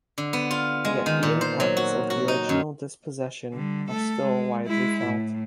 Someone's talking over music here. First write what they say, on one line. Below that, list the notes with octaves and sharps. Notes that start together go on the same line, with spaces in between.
Yet the impacts of the original dispossession are still widely felt.
D3
B3
F4
G#3
D#3
A#2
C5
F#3
F#4
F#4
D#4
F#2
D3 G3
A3 A4
G#3
G#3 E4
A2